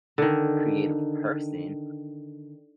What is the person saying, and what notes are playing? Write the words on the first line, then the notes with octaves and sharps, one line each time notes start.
creative person,
D3 D#3